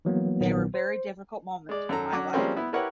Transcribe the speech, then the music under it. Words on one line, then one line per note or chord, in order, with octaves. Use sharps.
They were very difficult moments in my life.
E3 F#3 A#3 B3
A#1 A#2 D#3 F#3 B3
C5
G#3 D5
F#2 A4 A#5
F#3 C#4 D6
F3 G3 G#3 A#3 C4 C#4
B3 E4
E4 G4 A#4 B4 C#5 F#5